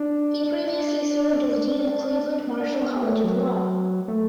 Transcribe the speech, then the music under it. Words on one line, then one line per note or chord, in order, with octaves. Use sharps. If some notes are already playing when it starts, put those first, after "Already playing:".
He previously served as Dean of Cleveland–Marshall College of Law.
Already playing: D4
D4
B3
A3
F#3
A3